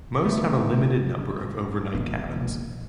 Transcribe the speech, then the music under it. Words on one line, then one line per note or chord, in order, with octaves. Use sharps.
Most have a limited number of overnight cabins.
D3 E3 A3 B3
E1 A#1 D#3 A#3